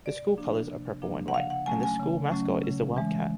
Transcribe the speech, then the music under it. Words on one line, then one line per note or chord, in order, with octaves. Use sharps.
The school colors are purple and white and the school mascot is the Wildcat.
C3 D5
F3 A#3 D4
C3
F3 A#3 D4
F#5
C#3 F5
F#5
F#3 A3 C#4 G#5
G#5
C#3
F#3 A3 C#4
C#3
E3 G#3